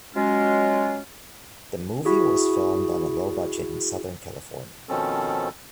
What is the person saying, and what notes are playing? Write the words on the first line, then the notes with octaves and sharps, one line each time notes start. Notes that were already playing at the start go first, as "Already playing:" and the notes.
The movie was filmed on a low budget in Southern California.
F#3 G#3 C#4 F4
E4 F#4 G#4
B2 D#3 F3 C4 C#4 A4